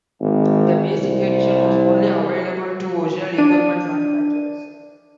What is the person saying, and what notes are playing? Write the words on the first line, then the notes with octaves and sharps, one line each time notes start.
The Basic edition was only available to original equipment manufacturers.
G#1
C2
D4 D#7